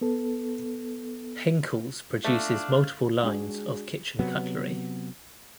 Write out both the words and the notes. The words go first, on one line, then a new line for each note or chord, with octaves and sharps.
Henckels produces multiple lines of kitchen cutlery.
B3 A4
A3 D4 F5
G#3 D4 F#4 G#4
C3 F#3 B3